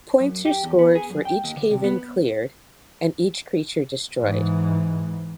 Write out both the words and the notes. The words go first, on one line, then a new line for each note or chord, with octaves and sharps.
Points are scored for each cave-in cleared and each creature destroyed.
F#2
G4
E2
B3
G#4
F#2
G5
D#2
D3
C3
B3
G#2 E3